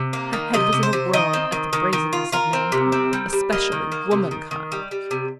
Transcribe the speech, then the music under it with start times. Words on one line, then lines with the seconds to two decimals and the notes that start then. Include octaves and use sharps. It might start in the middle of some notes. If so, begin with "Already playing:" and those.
Her head was in a whirl at the brazenness of mankind, especially womankind.
Already playing: C3
0.13 A#3
0.33 D#3
0.53 C3 D#5
0.73 C3
0.83 C5
0.93 C3
1.13 D#3 D#5
1.33 C4
1.52 D#3
1.73 D#3
1.93 D#3
2.13 F4
2.32 F4 A#4
2.53 C4
2.72 C3
2.92 C4
3.13 G3
3.33 G3
3.53 A#3 D#5
3.72 D#3
3.92 A#3
4.11 C3
4.31 D#3
4.51 D#3
4.72 G3
4.91 G3
5.11 C3